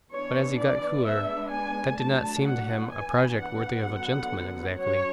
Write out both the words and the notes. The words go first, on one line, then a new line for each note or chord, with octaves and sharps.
But as he got cooler, that did not seem to him a project worthy of a gentleman exactly.
E3 B3 D4 C#5
D5
G#3 B3 D4 E5
G#5
F#3 A3 D4 A5
F#5
E3 B3 D4 G#5
F#5
D3 F#3 B3
F#3 C#4 C#5